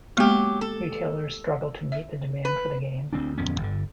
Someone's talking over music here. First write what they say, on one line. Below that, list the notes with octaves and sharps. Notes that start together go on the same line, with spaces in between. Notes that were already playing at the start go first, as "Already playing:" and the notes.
Retailers struggled to meet the demand for the game.
F#3 G#3 A#3 B3 G4
A4
E5
B4
D2 G#3 C4 D4
D1 F2 B3 C#4
G1 D3